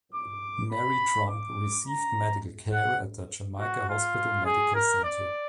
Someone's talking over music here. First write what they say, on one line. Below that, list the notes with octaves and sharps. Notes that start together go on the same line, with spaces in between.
Mary Trump received medical care at the Jamaica Hospital Medical Center.
D6
B5
D6
A#5
F#5
F#4
F4
G#4
A#4
D5